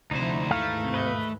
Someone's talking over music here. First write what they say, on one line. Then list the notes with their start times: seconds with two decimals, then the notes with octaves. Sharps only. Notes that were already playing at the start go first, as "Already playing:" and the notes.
kind of
0.11 D2 C3 F3 D#4 E4 C5
0.51 D#2 G#2 E3 A3 F5
0.94 B4 D#5